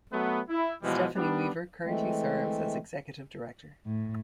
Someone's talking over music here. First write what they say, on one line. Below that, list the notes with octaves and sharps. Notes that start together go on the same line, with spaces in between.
Stefanie Weaver currently serves as executive director.
F#3 A3 B3
E4
B2 E3 F3 G3 G#3
G3 B3 D4
E3 G#3 A3 C4
A2